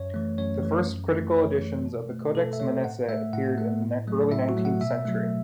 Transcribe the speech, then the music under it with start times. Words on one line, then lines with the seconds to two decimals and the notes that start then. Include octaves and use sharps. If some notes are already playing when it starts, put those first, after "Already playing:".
The first critical editions of the "Codex Manesse" appeared in the early nineteenth century.
Already playing: F#2 C#5
0.14 E3 A3
0.38 F#2 C#5
0.63 E3 A3
0.87 F#2
1.12 E3 A3
1.37 F#2 C#5
1.61 E3 A3
1.86 B2
2.10 A3
2.35 B2 A4
2.53 E5
2.60 A3 C#5
2.84 A2 F#5
3.08 A3 E5
3.33 A2 F#5
3.58 A3
3.82 A2
4.07 F#3 A3
4.31 A2 E5
4.49 F#4
4.57 F#3 A3
4.65 F#5
4.81 B2 E5
5.05 F#3 A3